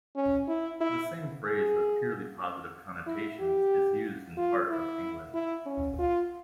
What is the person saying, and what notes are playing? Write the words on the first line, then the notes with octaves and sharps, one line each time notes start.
The same phrase with purely positive connotations is used in part of England.
C#4
E4
E4
G#4
E4
G4
F4
E4
E4
C#4
F4